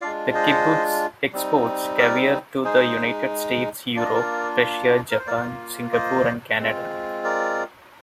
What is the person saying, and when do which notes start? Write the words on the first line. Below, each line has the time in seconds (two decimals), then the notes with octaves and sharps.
The kibbutz exports caviar to the United States, Europe, Russia, Japan, Singapore and Canada.
0.01 G#3 D4 F4 D5 F5
0.34 C5 D#5
1.33 G3 C4 D#4
1.98 A#4 D5
2.64 G#3 D#4 G#4 C5
3.96 A#3 D4 F4 D5
4.05 D#5
4.14 A#4 D5
5.11 A#4
5.19 C5
5.27 A#3 F4 A#4 D5
5.93 C5 D#5
6.59 G#3 C4 F4
7.24 A#4 D5